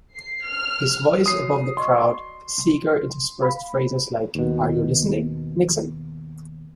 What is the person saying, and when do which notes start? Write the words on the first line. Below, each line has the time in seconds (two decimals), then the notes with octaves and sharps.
His voice above the crowd, Seeger interspersed phrases like, Are you listening, Nixon?
0.15 C7
0.47 F6
1.26 F#4 C#5 D#6 C7
1.77 D5 D#5 C6 C#6
3.42 F5 B5
4.35 D#2 B2